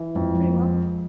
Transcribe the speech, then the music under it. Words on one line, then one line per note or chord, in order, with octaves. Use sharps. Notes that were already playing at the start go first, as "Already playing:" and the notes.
Pretty well.
Already playing: E3
F2 G#3
F3